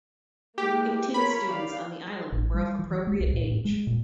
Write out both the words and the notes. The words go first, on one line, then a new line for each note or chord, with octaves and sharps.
Eighteen students on the island were of appropriate age.
E3 G#3 A#3 G4
F4 A#4 C#5 B5
G4 D5 F5
A1
G3
E3
F#3
G#3
C2
A2
A2
G#3
A#2